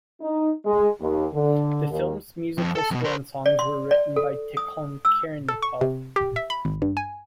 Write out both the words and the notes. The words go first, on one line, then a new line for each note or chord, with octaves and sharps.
The film's musical score and songs were written by Tikhon Khrennikov.
D#4
G#3
D#2
D3
D#2
F2
A4 A5
F2 B2
A#4 C5
D5
C6
D5
A4
D#6
E6
A4
C#6
C3
G4
E5
B5
G#1
G2
G#5